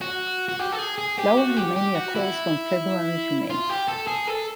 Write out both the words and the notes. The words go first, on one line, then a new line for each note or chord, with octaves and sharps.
Flowering mainly occurs from February to May.
F#4
F#4
G4
A4
G#4
G#4
G4
F#4
G4
G4
F#4
E4
F4
G4
A4
G#4
A4